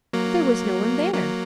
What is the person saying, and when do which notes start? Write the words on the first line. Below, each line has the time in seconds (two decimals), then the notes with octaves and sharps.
There was no one there!
0.13 F#3 A#3
1.14 F#3 A#3